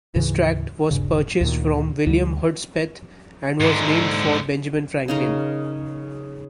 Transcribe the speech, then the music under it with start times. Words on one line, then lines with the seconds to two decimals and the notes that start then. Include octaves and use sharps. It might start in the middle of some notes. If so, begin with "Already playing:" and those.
This tract was purchased from William Hudspeth and was named for Benjamin Franklin.
0.15 D2 G#2 C#3 E3
0.91 D#1 G2 C#3
1.41 D2 A#2 D#3
2.07 D2 D3 E3 G3
3.60 G#2 D3
5.08 C#3 D#4 A#4